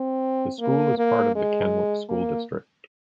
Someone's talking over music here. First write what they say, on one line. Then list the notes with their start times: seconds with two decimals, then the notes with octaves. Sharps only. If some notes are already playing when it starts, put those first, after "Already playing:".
The school is part of the Kennewick School District.
Already playing: C4
0.60 A#3
0.98 A#3
1.36 G#3
2.09 A#3